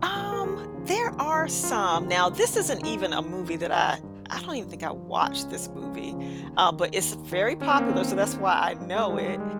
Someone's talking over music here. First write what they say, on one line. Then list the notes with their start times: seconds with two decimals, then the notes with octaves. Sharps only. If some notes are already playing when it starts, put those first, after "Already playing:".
Um, there are some. Now this isn't even a movie that, uh I don't even think I watched this movie, uh, but it's a very popular, so that's why I know it,
Already playing: C2 A#2 F3
0.15 A#2 F3
0.32 A#4
0.44 D#2 G#4
0.74 C#3 F3
1.05 D#2
1.34 C#3 F3
1.63 C#2 F4
1.94 C3 D#3
2.23 C#2
2.53 C3 D#3
2.83 F2 D#4
3.13 D#3
3.44 F2
3.73 D#3
4.03 G2
4.33 F3
4.63 G2
4.93 F3
5.22 C#2 C#4
5.52 C#3 F3
5.82 C#2 C#4
6.12 C#3 F3
6.42 D#2
6.71 D#3
7.01 D#2
7.31 D#3
7.60 D#2 C#4
7.70 C4
7.79 A#3
7.89 D#3 C4
8.20 D#2
8.50 D#3
8.80 G2
8.95 G#3
9.09 D#3 G3
9.25 G3
9.40 G#3